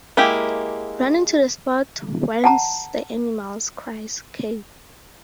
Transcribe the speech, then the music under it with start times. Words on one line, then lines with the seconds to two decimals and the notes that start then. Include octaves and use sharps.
Running to the spot whence the animal's cries came.
0.17 G#3 A#3 E4 G4
2.44 F#5 A5 A#5